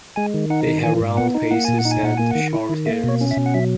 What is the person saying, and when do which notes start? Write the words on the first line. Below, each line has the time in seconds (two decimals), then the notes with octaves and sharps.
They have round faces and short ears.
0.16 G#3 G#5
0.34 D#3
0.50 D#4 F#5
0.67 D#3
0.83 E3 G#5
1.00 G#2
1.17 B3 F#5
1.35 D#4
1.51 A#3 F#5
1.65 A#2 G#5
1.79 F#5
1.85 D#4
1.91 G#5
2.03 A#2 F#5
2.17 A#3 G#5
2.31 D#3 F#5
2.53 E4
2.69 D#3
2.86 A#3 E5
3.04 B2 C#5
3.21 C#4
3.31 E5
3.37 B2
3.46 F#5
3.54 F#3 E5